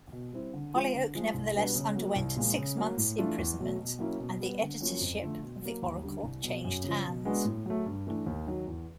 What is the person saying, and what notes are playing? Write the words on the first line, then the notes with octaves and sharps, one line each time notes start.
Holyoake nevertheless underwent six months' imprisonment, and the editorship of the "Oracle" changed hands.
B2
G3 C4 E4
D3
F3 G#3 C4 F4
D3
F3 G#3
C2
B2 G3 B3 D4
C#3
F#3 A#3
C2
A#2 F3 G#3
C#3
F#3 A#3
A2
E3 A3 D4 F4
E2
B2 F#3 A3
B2
F#3 A#3 C#4 E4
B2
G3 B3
D3
F#3 A#3 C#4 F4
F2
D3 F3 A3
B2
F#3 A#3
D#2
D3 G3
C2
B2 F#3
F#2
C#3 F3
B2
G#3 B3 D4 F#4
A2
F#3 A3
G2
E3 A3 D4
D#2
D#3 F#3
E2